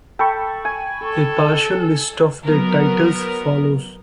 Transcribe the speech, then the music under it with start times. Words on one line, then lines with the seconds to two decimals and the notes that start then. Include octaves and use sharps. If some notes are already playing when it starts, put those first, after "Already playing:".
A partial list of their titles follows.
0.19 A4 G5 B5 C#6
0.65 G#5
1.04 A4
2.45 F#3 B3 A#4